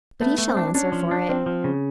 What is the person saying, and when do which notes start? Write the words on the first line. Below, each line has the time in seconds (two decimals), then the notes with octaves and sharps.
'But he shall answer for it.
0.21 A3 B3
0.38 A3
0.48 C4
0.57 D4
0.74 C#4 D4
0.92 F3
1.11 D4
1.29 F3 C4
1.46 F3
1.64 C#3